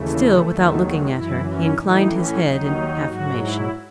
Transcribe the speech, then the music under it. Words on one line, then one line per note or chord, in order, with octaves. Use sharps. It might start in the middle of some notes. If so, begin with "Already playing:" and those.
Still without looking at her, he inclined his head in affirmation.
Already playing: D#2 C#3 E3 A3
D#2 D#3 F#3
G#3
F#2 E3 E4
C#4
A2 E3 D#4
C#4
D#2 D#3 F#3 D#4
G#2 F#3 F#4
E4